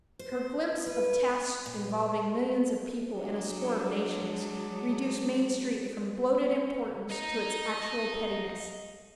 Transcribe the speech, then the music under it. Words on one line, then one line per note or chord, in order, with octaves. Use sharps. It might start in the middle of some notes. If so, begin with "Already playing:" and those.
Her glimpse of tasks involving millions of people and a score of nations reduced Main Street from bloated importance to its actual pettiness.
C5
B4
A#2
F#3 G#3 D4
D#5 A#5